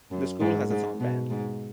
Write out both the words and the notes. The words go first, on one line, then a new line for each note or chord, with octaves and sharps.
The school has its own band.
F#2
G#2
G#2
B2
G#2